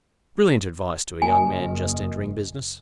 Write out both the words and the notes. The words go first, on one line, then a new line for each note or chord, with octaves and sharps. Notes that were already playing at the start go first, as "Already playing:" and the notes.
Brilliant advice to a young man just entering business!
F#1 F#3 A#3 D#5 G#5